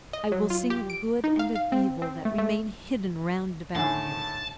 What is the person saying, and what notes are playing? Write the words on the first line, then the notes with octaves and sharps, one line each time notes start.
I will sing of good and of evil that remain hidden round about you.
D#5
F#3
F4
G4
D7
D#4
F5
F5
C4
C4
A3
A3
A2 D3 D#3 F#5 G#5 A5